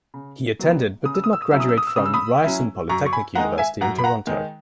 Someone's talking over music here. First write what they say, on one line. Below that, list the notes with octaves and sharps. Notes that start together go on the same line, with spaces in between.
He attended, but did not graduate from Ryerson Polytechnic University in Toronto.
C#3
F#3 B3
C#3 D#6
E6
D#6
E6
D#6
F#3 C#4 E4 E6
D#6
E6
D#6
E6
C#3 D#6
E6
B5 D#6
F#3 C#4 E4
F#2 A#5 C#6
C#6
G#5 B5
D#3 G#3 D#4 F#5 A#5
E5 G#5
F#2 F#5 A#5
B5
F#5 A#5
D#3 G#3 D#4